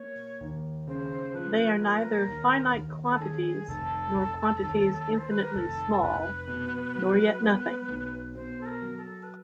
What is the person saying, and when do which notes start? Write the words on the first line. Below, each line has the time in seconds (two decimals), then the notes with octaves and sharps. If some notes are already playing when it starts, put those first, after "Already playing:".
They are neither finite Quantities nor Quantities infinitely small, nor yet nothing.
Already playing: A#3 C#5
0.41 D#2
0.87 C#3 C5
1.34 F3 B4
1.80 A#3 A#4
1.91 B4
2.00 A#4
2.28 D#2
2.74 D#2
3.11 A4
3.20 D#3 G#4
3.67 F1 A4
4.14 F1
4.61 D#2
5.08 D#3
5.18 C5
5.31 B4
5.43 A#4
5.54 F1 A4
6.02 F1 B4
6.48 B2
6.95 F#3
7.42 B3
7.88 B1
8.35 B2 C5
8.61 A4
8.66 A#4
8.82 F#3
8.98 A4
9.23 B4